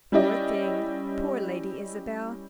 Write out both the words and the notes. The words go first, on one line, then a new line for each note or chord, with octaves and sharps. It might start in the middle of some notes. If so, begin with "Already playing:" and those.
Poor thing--poor Lady Isabel!
G3 C#4 E4 G4 D5 D#5